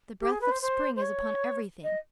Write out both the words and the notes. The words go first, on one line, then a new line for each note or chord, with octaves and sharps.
The breath of spring is upon everything.
G4
G#4
B4
C5
C5
C5
C#5
D#5